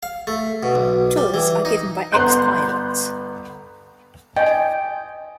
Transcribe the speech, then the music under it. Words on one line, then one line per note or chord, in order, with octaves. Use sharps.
Tours are given by ex-pilots.
F5
A3
B2
B1
G3
E3
D#4
G1 B3 A#5 C6 F#6 G6
D#5 G5 G#5